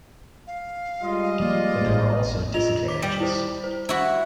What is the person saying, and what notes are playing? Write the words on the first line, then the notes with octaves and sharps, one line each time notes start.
But there were also disadvantages.
F5
G3 G#3 F4 D#5
F3 A#3 F4 D5
A1 A#3
F4 D#5 F7
D6 B6
G3
E4 C5
C5
E4 F#4